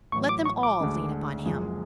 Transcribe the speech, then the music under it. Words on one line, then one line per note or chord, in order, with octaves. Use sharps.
Let them all lean upon him.
A1 A2 F#3 C#6
D6
C#6
D6
D2 D3 G#3 D4
F#1 F#2 F3 G#3